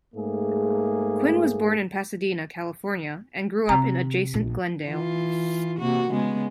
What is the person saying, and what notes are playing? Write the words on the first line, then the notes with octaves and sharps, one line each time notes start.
Quinn was born in Pasadena, California, and grew up in adjacent Glendale.
G#2 A3 A#3 G#4
C3 A#5
A#1
E3 F4
C3 A#3 F#4
C#3 G#3 B3